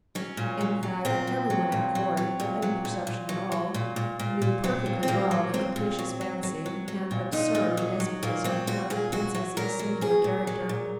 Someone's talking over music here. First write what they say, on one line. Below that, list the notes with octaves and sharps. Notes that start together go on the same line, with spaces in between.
In fact, every one at court, of any perception at all, knew perfectly well the capricious fancy and absurd despotism of the princess's singular character.
F#3 C#4
A#2
F#3
F#3
A#2 C4
F#3
F#3
A#2
F#3
F#3
A#2
F#3
A#2
A#2
F#3
F#3
A#2
A#2
A#2
A#2
F#3 C4
A#2
C4
A#2 A#3
F#3
A#2 C4
A#2
F#3
F#3
F#3
F#3
F#3
A#2
A#2 D#4
A#2
F#3
F#3
A#2 A#3
F#3 C4
A#2 F#4
A#2 G#4
F#3 F#4
F#3
A#2 A#4
F#3
F#3 G#4
A#2
F#3
A#2